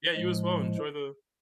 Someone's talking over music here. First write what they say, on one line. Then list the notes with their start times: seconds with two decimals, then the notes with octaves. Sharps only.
Yeah, you as well. Enjoy the
0.15 A2 F3 G#3